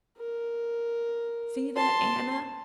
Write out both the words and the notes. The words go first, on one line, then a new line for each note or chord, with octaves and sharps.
'See that, Anna?
A#4
A5 C6